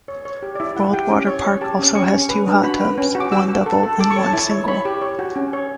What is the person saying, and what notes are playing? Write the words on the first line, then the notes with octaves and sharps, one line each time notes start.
World Waterpark also has two hot tubs: one double and one single.
C#5
C#5
G4
D5
E4 E5
E4 F#5
G4 G5
C#4
C#5
C#5
G4 A5
C#4
C#4 C#6
C#4
B4
D4
F#4 B5
B4
C#4
F#4
D6
F#4 E6
F#4
A4
A4
A4 D6
C#6
C#5
A5
E4
C#5
C#5 B5
G4
C#5
F#4
C#4
C#5